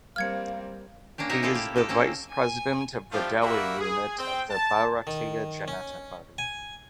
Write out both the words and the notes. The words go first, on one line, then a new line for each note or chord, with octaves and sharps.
He is the vice president of the Delhi unit of the Bharatiya Janata Party.
G3 A#3 C4 F5 F6 G#6 C#7
A#3 C#4 D4 G4
D#4 G4 G#4 A#4 E5
G#3 A#3 E4 F4 G4 A4
G4
D#4 G4 A4
A#3 C4 C#4 A4
G#5
F3 A3 D4 E4 F4 G4
A#3 F#4 G4 D5 E5 B5
G#4
C4 G5
A5
D#3
C#4
G#5